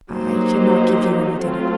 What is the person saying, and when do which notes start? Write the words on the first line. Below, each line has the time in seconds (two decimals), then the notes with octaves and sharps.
"I cannot give you any dinner."
0.11 F#3 A#3 D#4 G4 C5
1.40 F#3 A3 C4 F4